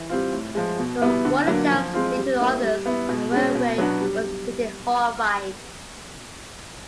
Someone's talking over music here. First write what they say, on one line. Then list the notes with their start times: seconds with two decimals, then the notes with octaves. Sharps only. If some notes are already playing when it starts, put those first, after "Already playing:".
But what the Japs did to the others on the railway was pretty horrifying.
Already playing: E3
0.10 G3 C4 F4
0.33 A2
0.55 F3 G#3
0.79 B2
1.01 G3 B3 E4
1.25 D3
1.48 F#3 A#3 D4
1.71 F3
1.93 G#3 C4 F4
2.17 G3
2.39 A#3 C#4 E4
2.63 G3
2.86 B3 E4
3.09 B2
3.32 G#3 C#4
3.55 B2
3.78 F#3 B3 D4 F#4
4.01 G3